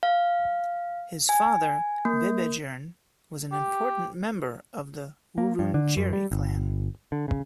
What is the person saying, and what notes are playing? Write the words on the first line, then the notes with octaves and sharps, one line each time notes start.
His father, Bebejern, was an important member of the Wurundjeri clan.
F5
G#5
A#3
G4
A#3
G2
D3
F#2
G3
G1
D3
C#3